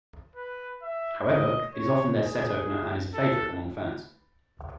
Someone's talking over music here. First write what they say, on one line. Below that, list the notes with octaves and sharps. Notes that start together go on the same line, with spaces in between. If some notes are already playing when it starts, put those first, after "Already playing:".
However, it is often their set opener and is a favorite among fans.
B4
E5
D#5
C#5
G#4
A4